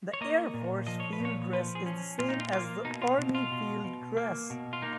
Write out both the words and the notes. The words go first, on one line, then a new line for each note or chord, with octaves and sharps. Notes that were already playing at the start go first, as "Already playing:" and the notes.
The Air Force field dress is the same as the army field dress.
C#5
A#3 D#5
A#2
F3 D#5
C#5
B4
A#2
C#5
F3 B4
G#4
C#4
A#2 F4
D#4
F4
A#3 F4
B2 D#4
F4
B2
F4
B2
B2
A#3
B2
F4
A#3 D#4